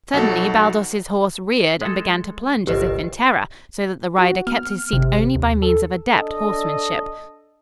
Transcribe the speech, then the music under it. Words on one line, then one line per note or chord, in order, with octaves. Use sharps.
Suddenly Baldos's horse reared and began to plunge as if in terror, so that the rider kept his seat only by means of adept horsemanship.
B1 F#4 A4
G#3 A4
G1 C2 G4 B4 D#5
F#4
B3 F6
G#1 C3
D#2
A4
D4 A4 D#5